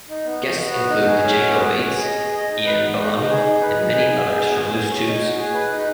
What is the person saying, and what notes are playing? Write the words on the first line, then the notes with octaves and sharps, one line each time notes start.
Guests included Django Bates, Iain Ballamy and many others from Loose Tubes.
D#4
B3
F#4
B3
F#4
D#4
G#4
C#4
F#4
B3
F#4
G#4
D#5
G#4
D#5
D#4
B4
B3
D#4
D#4
G#4
D#4
B4
D#4
G#4
B3
G#4
B3
G#4
G#4
C#5
D#4
F#4
G#4
B4
D#4